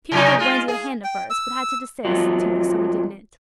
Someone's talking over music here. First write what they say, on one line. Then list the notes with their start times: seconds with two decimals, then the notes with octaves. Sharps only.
Peter gave Wendy a hand at first, but had to desist, Tink was so indignant.
0.12 C3 F#3 D#4
0.38 G#3 F4
0.68 G#4
1.04 G5
1.30 E6
2.04 F2 F3 F#3